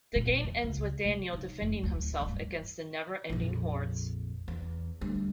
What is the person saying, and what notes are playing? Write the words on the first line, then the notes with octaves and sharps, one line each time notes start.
The game ends with Daniel defending himself against the never-ending hordes.
A#2
E2
C#2
C3
D#4
F1
D1
G2
A#1 F2
E2
D2 G3